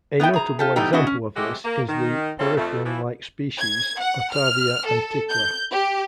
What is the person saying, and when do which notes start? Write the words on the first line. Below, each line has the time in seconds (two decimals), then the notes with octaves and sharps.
A notable example of this is the poriferan-like species "Otavia antiqua".
0.20 B3 D#4 E4 G5
0.33 G#4 A#5
0.59 F4 G4 A4
0.76 B2 E3 G3 D#4 G4
0.93 C4 D4 E4 F#4 G#4 D#5
1.07 C#4
1.35 C3 G#3 A3 F#4 G4
1.64 A#3
1.87 D#3
2.39 G3 C4 C#4 E4 F4 A4
2.56 F2 A3
2.84 E3 F3
3.59 G#6
3.99 F#5
4.34 F6
4.87 A4
5.31 G6
5.72 G4